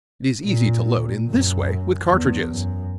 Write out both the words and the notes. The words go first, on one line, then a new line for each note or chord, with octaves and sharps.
It is easy to load in this way with cartridges.
A#2
F#2
E2
F#2